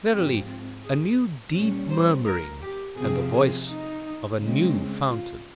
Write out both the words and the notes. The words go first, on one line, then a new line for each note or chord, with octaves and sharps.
Verily, a new deep murmuring, and the voice of a new fountain!
G#2 F3 C4 G4
G#4
A#2 G3 C#4
C5
A#4
G4
C3 F3 C4 G#4
G#4
D#4
C#3 G#3 C4
F4